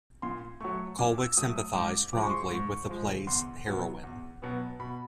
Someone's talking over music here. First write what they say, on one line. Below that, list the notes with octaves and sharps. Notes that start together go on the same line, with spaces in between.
Cullwick sympathised strongly with the play's heroine.
A#2 C6
F#3 A3 C#6
A#2 D6
E6
F#3 A3 D#6
D#6
G#2 D6
F3 G#3 D6
C#6
C6
C#6
G#2 C#6
F3 G#3
E2 C6
B2 F#3 B3
E2
B2 F#3 B3
B2 B5